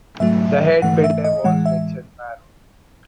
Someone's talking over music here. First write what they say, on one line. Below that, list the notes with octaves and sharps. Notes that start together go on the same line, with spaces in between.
The head builder was Richard Marrone.
G#2 F#3 A3 E5
G#2 E3 A3 F#5
E5
D#5
A2 E3 G#3 F#5
E5